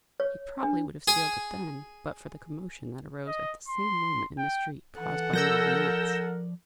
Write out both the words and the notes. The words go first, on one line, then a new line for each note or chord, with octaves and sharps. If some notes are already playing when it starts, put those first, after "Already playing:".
He probably would have sealed it then, but for the commotion that arose at the same moment in the street caused by Mad Nance.
C#5
D4
G#4 G#5
D#5
C6
G5
E3 A4 F#5
F3 A#4 D5 E6 G6 A#6